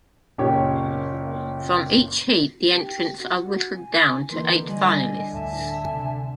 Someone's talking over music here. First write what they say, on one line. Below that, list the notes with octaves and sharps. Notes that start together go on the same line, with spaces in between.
From each heat, the entrants are whittled down to eight finalists.
F#1 A#2 G4 C#5
G4
F#4
G#5
D3 E3 A#3 D#4 A#4 B4 C6
G3 D#5 G#5
D2 A2 E5 G#5 A5
C3